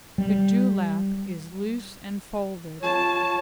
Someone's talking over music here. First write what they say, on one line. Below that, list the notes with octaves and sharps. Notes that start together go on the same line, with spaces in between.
The dewlap is loose and folded.
G3
F4 C#5 A5